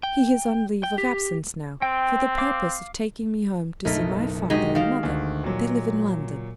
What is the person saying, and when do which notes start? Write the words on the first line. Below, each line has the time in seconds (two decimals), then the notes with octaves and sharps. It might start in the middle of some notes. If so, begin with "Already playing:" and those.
He is on leave of absence now for the purpose of taking me home to see my father and mother--they live in London.
0.03 G5
0.83 G5
0.98 G4
1.82 C4 G5
2.38 F5 D6
3.85 F#1 B1 A3 D#4 E4 A#4
4.50 G#3 D#4 F#4 G4
4.75 D#3 F5
5.03 D2
5.44 A#2 F#3